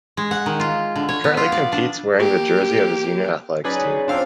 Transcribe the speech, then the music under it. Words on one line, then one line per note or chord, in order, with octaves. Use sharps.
He currently competes wearing the jersey of his unit athletics team.
G#3
F#5
D#3
F4
D3
C#5
B3
F4
D5
D4
A#3 G4
F#3 C#4 D#4 G#4 B4 D5
F3 C4 D4 F5 C6